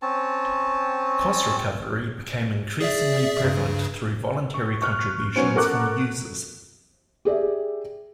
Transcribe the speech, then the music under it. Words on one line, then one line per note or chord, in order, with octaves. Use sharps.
Cost recovery became increasingly prevalent through "voluntary" contributions from users.
C4 C#4 A5
G#4 D5 E5
G2 C#3
C#6
C#6 F6 F#6
F#3 B3 C#4 C5
A4 A#4 F#5 C#6 D6 F#6
G4 G#4 D5 E5